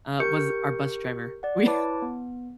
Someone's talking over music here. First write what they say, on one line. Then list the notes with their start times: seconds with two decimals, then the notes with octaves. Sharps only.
uh, was our bus driver. We
0.20 G4 A#4 C#6 G6 C#7
1.43 D5 F#5
1.66 E4 B4 C#5 A5 D6
2.02 B3